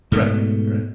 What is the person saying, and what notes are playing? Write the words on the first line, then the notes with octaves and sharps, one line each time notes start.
Right, right.
G#2 B2 A3